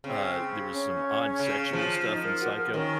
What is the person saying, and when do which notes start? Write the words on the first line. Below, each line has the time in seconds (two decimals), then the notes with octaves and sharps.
uh, there was some odd sexual stuff in Psycho,
0.04 C#3 C4
0.72 C#4
1.40 C#3
1.73 F3
2.07 D#4
2.24 A#4
2.40 F#4
2.58 A#4
2.74 D#3 C#4